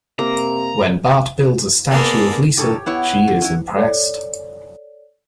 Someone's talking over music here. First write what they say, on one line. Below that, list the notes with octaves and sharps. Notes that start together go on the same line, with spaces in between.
When Bart builds a statue of Lisa, she is impressed.
C3 A#3 A#4 A#5
A#3 B3 G#4 A4 D5
G#2 D3 G4 A4 C#5
B3 E4 C#5 F#5
F#5
D3
C#4 E4
A4 C#5 D5